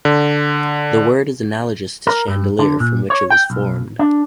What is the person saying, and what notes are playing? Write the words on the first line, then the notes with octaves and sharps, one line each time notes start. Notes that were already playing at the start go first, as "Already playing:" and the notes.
The word is analogous to chandelier, from which it was formed.
D3
A#4
G2
D3
A#2
C#5
G5
B1
D4